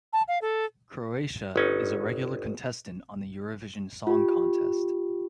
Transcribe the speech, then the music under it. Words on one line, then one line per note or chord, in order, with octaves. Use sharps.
Croatia is a regular contestant on the Eurovision Song Contest.
A5
F5
A4
G1 C#4 D#4
F4 G4